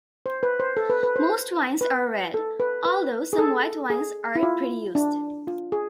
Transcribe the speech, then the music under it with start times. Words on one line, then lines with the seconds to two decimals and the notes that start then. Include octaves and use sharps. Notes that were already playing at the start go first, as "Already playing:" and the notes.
Most wines are red, although some white wines are produced.
0.26 C5
0.43 B4
0.60 C5
0.77 A4
0.90 B4
1.03 B4
1.16 C5
1.81 B4
2.34 A4
2.60 B4
2.85 B4
3.33 G#4
3.38 A4
3.90 G#4
4.35 E4
4.43 F4
4.95 D4
5.47 F4
5.72 G#4